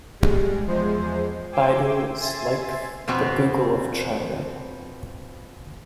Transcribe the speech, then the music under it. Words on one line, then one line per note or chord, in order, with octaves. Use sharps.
Baidu is like the Google of China.
G3 G#3
E2 F3 G#3 C5
G5 G#5 C6 D6 E6
E5 G#5 C6 A6
F2 B2 B3 C4